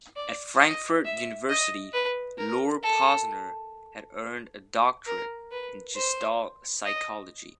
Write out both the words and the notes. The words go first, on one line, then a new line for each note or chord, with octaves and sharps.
At Frankfurt University Lore Posner had earned a doctorate in Gestalt Psychology.
D5
D#5
E5
D#5
B4
A#4
A4
A#4
B4
C5
D#5